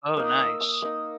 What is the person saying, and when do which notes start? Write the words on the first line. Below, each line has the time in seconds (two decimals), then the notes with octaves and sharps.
Oh nice.
0.17 A#3 D#4 D#6
0.39 E6
0.61 D#6
0.82 A#3 D#4 D#6